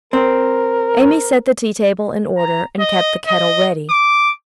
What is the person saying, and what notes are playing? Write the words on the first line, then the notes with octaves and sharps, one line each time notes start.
Amy set the tea-table in order, and kept the kettle ready. . . .
C4 A#4
A#5
D#5
D#5
D6